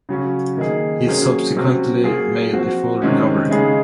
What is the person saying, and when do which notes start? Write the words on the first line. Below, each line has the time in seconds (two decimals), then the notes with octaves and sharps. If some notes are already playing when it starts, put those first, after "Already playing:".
He subsequently made a full recovery.
0.09 C#3 F#3 C#4
0.57 D#3 A#3 D#4 G#4
1.07 C3 F#3 A#3 C#4 G#4
1.55 C3 F#3 C#4
2.04 F#3 A#3 F4 G#4
2.53 F3 C4 F#4
3.02 C3 D#3 G#3 C#4
3.50 C#3 G#3 D#4 G#4